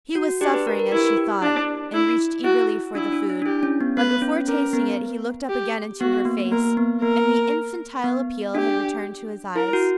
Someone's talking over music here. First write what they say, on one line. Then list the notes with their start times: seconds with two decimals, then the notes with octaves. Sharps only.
He was suffering, as she thought, and reached eagerly for the food, but before tasting it he looked up again into her face, and the infantile appeal had returned to his eyes.
0.15 F#4
0.41 D4 G4
0.54 B4
0.67 A#4
0.79 A#4
0.92 E4 G4
1.17 G4
1.42 D4
1.94 E4
2.44 E4 F#4
2.95 D4 E4
3.12 D4
3.29 E4
3.42 D4
3.46 E4 G4
3.63 C#4
3.81 B3
3.97 B3 B4
4.22 C#4
4.47 C#4 A#4
4.73 B3
5.49 G4
6.00 B3 F#4
6.25 A#3
6.52 A#3 A#4
6.77 B3
7.02 A#3 A#4
8.04 B3
8.55 D4 G4
9.56 E4 A#4
9.73 F#4